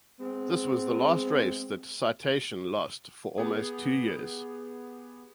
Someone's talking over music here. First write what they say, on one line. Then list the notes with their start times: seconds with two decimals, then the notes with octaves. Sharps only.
This was the last race that Citation lost for almost two years.
0.19 G#3 B3 C4
3.38 B3 G4 G#4